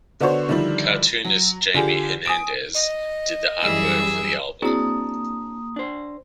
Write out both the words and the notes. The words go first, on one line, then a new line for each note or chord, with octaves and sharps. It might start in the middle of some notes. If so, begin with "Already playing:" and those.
Cartoonist Jaime Hernandez did the artwork for the album.
D3 B3 D4 F#4 C5 C#5
D3 D#3 F3 G3 E4
F#3
D3 F4 G4 G#4
G#5 D#6 D7
D#5
F#2 E3 G3 G#4 E6
A#3 C4 D4 E4 F#4 G#4 D#6
D4 C5